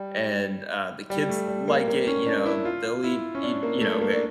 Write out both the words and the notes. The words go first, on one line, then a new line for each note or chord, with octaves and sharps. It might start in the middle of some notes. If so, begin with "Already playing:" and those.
and uh, the kids like it, you know, they'll eat eat, you know,
Already playing: G3
G3
A3
G3
A#3
A#3
C#4
D4
E4
F4
E4
C#4
D4
A#3
A3
A#3
D4